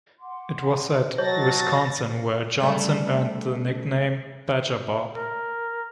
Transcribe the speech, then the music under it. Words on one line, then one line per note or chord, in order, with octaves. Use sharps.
It was at Wisconsin where Johnson earned the nickname, Badger Bob.
F#5 C6 D6
F#3 F#4 C#5 D#5 A5 A6 A#6
C#3 G3 A3
A#4